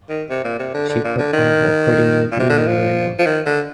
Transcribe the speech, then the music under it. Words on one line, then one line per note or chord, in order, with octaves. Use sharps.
She put on her pretty new blue merino.
D#3
C3
A#2
C3
D3
D3
A#2
D3
D#3
A#2
C3
D3
D#3
F3
F3
D#3
D3